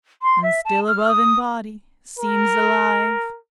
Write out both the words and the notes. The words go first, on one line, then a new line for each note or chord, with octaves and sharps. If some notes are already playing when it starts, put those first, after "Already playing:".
And still above in body seems alive!
C6
E5
A5
F6
D#6
A#4